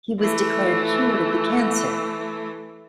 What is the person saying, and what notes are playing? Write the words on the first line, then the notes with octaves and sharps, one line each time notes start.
He was declared cured of the cancer.
E3 A3